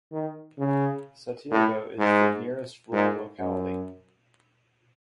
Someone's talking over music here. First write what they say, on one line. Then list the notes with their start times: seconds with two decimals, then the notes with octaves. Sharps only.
Satyevo is the nearest rural locality.
0.12 D#3
0.59 C#3
1.51 A2
1.99 G#2
2.92 G#2
3.39 F#2